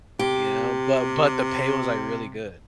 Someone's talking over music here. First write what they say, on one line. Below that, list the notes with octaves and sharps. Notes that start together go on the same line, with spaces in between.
you know, but but the pay was, like, really good,
C3 G4